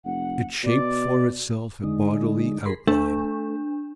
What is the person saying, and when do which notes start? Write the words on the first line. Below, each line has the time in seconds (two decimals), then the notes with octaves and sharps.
It shaped for itself a bodily outline.
0.05 F1 F#5
0.63 B2 D5
1.84 D3 G#3 D#4
2.66 G#4 A#4 B5 C6
2.87 A3 D4